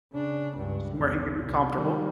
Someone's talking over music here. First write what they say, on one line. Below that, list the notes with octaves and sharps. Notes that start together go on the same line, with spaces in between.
Somewhere he could be comfortable.
C#3 D4
C#2 G2
B1 E2
C2
D#3 G3